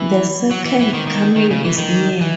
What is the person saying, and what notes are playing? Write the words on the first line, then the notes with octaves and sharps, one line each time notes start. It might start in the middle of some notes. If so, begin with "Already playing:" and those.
The Second Coming is Near.
Already playing: E3
F#3
E3
E3
D#3
D#3
D#3
C#3
E3
D#3
E3